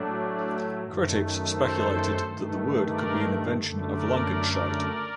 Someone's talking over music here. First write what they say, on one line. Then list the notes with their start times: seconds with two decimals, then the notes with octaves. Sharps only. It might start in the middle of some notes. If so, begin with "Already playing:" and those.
Critics speculated that the word could be an invention of Langenscheidt.
Already playing: A2 F#3 A3 D4
0.84 F#2 D#3 A3
1.52 A4 C5
2.20 G2 D#3 A3
2.88 A#4 D5
3.56 F#2 D3 A3
3.90 A#4 D5